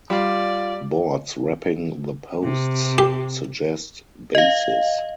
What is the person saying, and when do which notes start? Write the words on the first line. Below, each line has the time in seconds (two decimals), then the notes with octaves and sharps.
Boards wrapping the posts suggest "bases".
0.10 G3 F4 D5 F5
2.42 C3
2.98 G4
4.35 D#5 F5